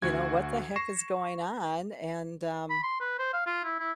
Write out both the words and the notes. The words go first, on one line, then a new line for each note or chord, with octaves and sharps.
you know, what the heck is going on and, um,
D2 F#4 F#5 G#6
C#6 A#6 C7 E7
B5
C6
B4
C5
F5
F4
E4
E4